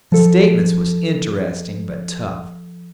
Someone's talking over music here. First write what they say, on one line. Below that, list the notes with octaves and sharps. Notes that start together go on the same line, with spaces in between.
The statements was interesting, but tough.
F3 A4